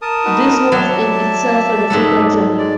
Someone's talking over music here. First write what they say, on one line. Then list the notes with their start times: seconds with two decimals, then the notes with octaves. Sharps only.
This was in itself a difficult journey.
0.02 A#4 A5 D#6
0.25 D#4 F#4 B4
0.72 F#3 D5 E5 A5
1.90 G#2 F#3 A4
2.59 G#3 D5